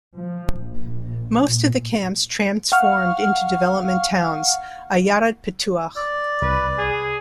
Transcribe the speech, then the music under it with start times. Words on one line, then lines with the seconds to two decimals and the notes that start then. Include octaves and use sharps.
Most of the camps transformed into Development Towns - "Ayarat Pitu'ach".
0.18 F3
0.59 A#1
1.42 A#2
2.72 F5 F#5 C#6 F6
5.96 D5
6.42 C2 B4
6.78 G#4